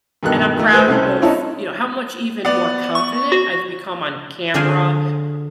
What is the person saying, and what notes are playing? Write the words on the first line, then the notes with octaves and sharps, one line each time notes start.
and I'm proud of, you know, how much even more confident I've become on camera,
G2 B2 D#3 A4 F#6
D#3 A3
A3 B4 C5
C2 C#4 A4 C5
C4 C#4 D#4 E4 C#5 A5
B3 D5
C#6
F#4
D3 G#4 C5 D5 F5 G#5